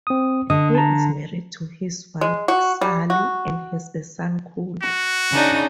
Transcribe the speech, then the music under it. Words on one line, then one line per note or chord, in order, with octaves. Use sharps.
He is married to his wife, Sally, and has a son, Cole.
C4 D#6
D3 D#5 D#6
A5 A#5
G#3
F#4
G3
F#4
F#4
C#3 D4 D#4